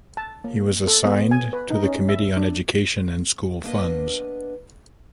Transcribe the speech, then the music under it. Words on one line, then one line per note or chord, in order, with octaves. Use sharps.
He was assigned to the committee on education and school funds.
A5
A#3
A4
B3
G#5
B4
D#4
C#4
E5
D4
A#3 B3 D4 B4 D#5